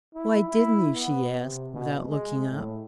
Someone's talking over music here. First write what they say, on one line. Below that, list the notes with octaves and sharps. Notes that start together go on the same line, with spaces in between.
"Why didn't you?" she asked, without looking up.
E4
E4
B3
C3
B2
G#3
A2